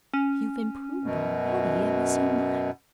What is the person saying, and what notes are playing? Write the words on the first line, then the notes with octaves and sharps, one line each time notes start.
You've improved already, ever so much.
C#4
F#2 B2